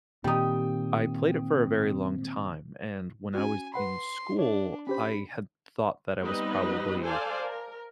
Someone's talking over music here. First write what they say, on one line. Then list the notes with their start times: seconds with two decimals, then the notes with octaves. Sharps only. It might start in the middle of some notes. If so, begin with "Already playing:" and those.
I played it for a very long time, and when I was in school, I had thought that I was probably,
0.24 A#2 D#3 G3 C4 D#4 G5 D#6
3.35 C#4 F#4 G#5
3.74 B4 F#5 B5 C6
4.39 D4 C#5
4.87 C#4 G4 C5 B5
6.21 G3 B3 C4 D#4 B4 D#5
7.02 A4 C5 D5 F5 G#5 A5
7.43 A#4